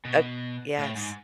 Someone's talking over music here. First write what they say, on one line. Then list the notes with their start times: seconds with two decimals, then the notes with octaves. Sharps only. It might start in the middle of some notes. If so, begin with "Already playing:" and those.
Uh Yes.
0.05 B2
0.78 A2
0.95 G#2